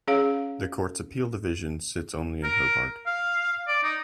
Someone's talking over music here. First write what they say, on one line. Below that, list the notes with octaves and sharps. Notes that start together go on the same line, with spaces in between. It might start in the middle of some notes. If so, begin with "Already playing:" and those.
The Court's Appeal division sits only in Hobart.
C#4 G#4 C#5 F5
A#4
F5
D5
D#4